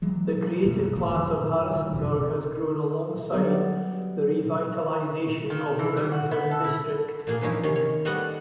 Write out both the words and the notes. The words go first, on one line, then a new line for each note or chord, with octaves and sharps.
The creative class of Harrisonburg has grown alongside the revitalization of the downtown district.
E3 F#3 G#3
F#2 B2 E3
G1 G#2 E3 A3
F#2 D#3 F3
D#3
A1 F#2 C3 F3
F#3 G3 B3 D5
D#3
E3
G3
F#4
B3
A4
E4
A#2 A#3 G#4
E3 F3 C#4 D#4 E4
C3 D#3 C#4
C#5
G3 A3 B3 C4 D#5 F#5